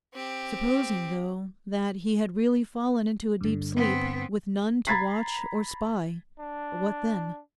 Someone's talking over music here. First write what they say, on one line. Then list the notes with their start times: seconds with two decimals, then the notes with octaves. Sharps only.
Supposing, though, that he had really fallen into a deep sleep, with none to watch or spy--what then?
0.14 C4 G4
3.41 G2 D3
3.76 B3 C4
4.87 A#5 B5 G#6 A6 B6 C7
6.40 D4